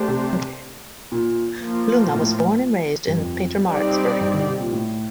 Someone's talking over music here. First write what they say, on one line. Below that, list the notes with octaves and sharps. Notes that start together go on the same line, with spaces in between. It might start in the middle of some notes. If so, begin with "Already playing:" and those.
Lunga was born and raised in Pietermaritzburg.
Already playing: A3 D4 G4 C5
C3
A#2
F3 A#3 F4
A#2
A2
G2
F2
G3 C4 D#4 G4 D5
G2
D3
C3
A#2
A2